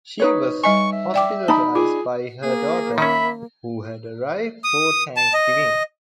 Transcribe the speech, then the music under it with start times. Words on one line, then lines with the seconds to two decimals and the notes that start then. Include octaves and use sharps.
She was hospitalized by her daughter, who had arrived for Thanksgiving.
0.20 D#4 B4 C#5
0.64 G3 D#5 G#5 C#6
0.92 E5
1.14 D5 G5 D6
1.48 D#4 D5 A5 B5
1.75 F4 G#4
2.42 A#3 G#4
2.98 D#3 C#4 E5 B5
4.64 D#6
5.17 A5
5.34 D#5